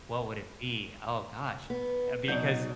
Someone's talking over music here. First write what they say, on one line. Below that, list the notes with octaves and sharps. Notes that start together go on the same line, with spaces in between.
what would it be?" Oh, gosh. Uh, because
B3
B2 F#3 D#4 D5 G6